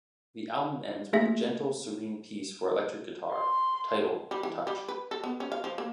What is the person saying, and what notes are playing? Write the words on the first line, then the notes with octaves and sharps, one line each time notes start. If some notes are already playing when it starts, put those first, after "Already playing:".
The album ends with a gentle, serene piece for electric guitar titled "Touch".
A3 A#3 G#4 E5 A#6
C6
G3
E3
G3
B4
A4
B3
C#4
F5
F3
A#3